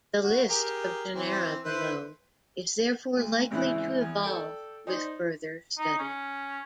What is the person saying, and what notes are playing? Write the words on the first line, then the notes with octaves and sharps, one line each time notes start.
The list of genera below is therefore likely to evolve with further study.
F#4
G4 G#4 A#4
E3 C4
E4 B4 C5
D2
G#1 C#3 E3 E4 F#6
E2
A4 D5 G5
D#4 C5 D5
D#4
C#4